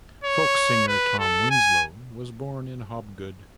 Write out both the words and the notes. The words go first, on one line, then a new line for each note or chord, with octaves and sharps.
Folk singer Tom Winslow was born in Hobgood.
C#5
B4
A4
G#5